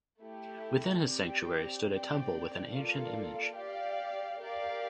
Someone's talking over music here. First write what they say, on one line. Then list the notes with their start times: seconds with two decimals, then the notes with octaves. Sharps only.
Within his sanctuary stood a temple with an ancient image.
0.19 A3 E4 G4
1.04 C4 G4 D5 G5
1.88 C4 G4 D5 G5
2.71 A#3 F4 A4 D5 F5
3.56 G4 D5 F5
4.41 G4 A#4 D5 F5